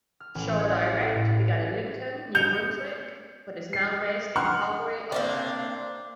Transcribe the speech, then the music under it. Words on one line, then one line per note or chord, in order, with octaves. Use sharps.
Shaw Direct began in Lincoln, New Brunswick, but is now based in Calgary, Alberta.
F6
A1
C#5
A6
A4
A2
G6 C#7 F7
C7
F#5 C6 C#6 F6 F#6
A#3 C4 D4